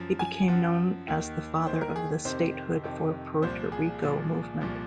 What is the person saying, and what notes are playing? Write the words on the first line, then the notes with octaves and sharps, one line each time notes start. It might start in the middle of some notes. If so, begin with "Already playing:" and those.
He became known as the father of the statehood for Puerto Rico movement.
Already playing: F#2 F3
G#5
F#2 F3 F#5
D#2 D#3
D#2 D#3 C5
A#4
G#4
F2 C3 D#3 C5
F2 C3 D#3
C2 A#2 F3 C5
G#4
C2 A#2 F3
C2 A#2 F3